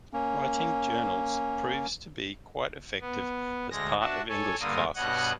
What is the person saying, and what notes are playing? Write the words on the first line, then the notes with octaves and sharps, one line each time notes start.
Writing journals proves to be quite effective as part of English classes.
A#3 C#4
B3
D2 G#3 A#6
D4 F#4 E5 A5
A4 C#5 G#5
G2 D3 A#3 D#6
G2 B2 C#5 D#5 F#5 F#6